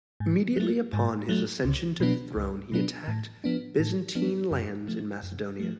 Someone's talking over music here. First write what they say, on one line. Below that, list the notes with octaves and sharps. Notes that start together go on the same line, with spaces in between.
Immediately upon his accession to the throne he attacked Byzantine lands in Macedonia.
G#2
F#3 A3
G#2
F#3 A3
C#2
B2 F#3 B3 D4
C#2
B2 F#3 B3 D4
A2
F3 B3 D4
A2
F3 B3 D4
F#2
F3 A3
F#2
F3 A3